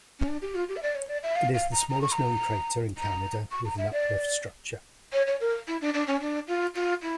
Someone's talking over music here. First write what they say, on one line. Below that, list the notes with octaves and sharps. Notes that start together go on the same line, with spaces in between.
It is the smallest known crater in Canada with an uplift structure.
C#4
D4
G4
F4
G4
E5
D5
C#5
D5
E5
F5
F5
A#5
A#5
C#6
A#5
A#5
C#6
A#5
E5
D5
C#5
C#5
A#4
E4
D4
D4
C#4
D4
F4
F4
E4